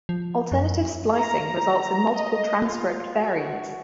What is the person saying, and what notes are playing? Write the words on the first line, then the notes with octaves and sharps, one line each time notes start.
Alternative splicing results in multiple transcript variants.
F3
F#2
A#5
D#5
F4
F#4